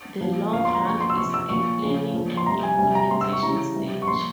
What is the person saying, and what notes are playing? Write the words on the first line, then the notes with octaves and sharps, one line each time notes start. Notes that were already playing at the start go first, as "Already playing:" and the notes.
The long run is a planning and implementation stage.
A#2 F3
A#2 F3 F5
C6
A#5
A#2 F3 C#6
C6
E6
C3 F3 C#6
E6
A#2 F3 C#6
C#3 F3
A#2 F3
C6
C3 G3 A#5
G#5
C3 G3 G#5
A#5
C3 G3 C6
E6
C#6
C#3 E3 G3 A#5
C3 G3
C#6
A#2 F3 C6